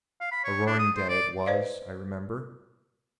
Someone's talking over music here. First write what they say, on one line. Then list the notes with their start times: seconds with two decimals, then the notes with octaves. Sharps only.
A roaring day it was, I remember....
0.21 F5
0.32 B5
0.44 C#5
0.67 D4
0.79 D#6
0.96 C5
1.09 D5
1.46 B4 C5 D5 D#5 F5